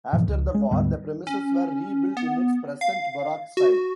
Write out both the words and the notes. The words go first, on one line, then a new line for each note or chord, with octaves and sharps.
After the war the premises were rebuilt in its present Baroque style.
G#2 B2 E3 F3
C#2
G#3
D2 G#2 G3 B3
C#4
B3
F5
F#4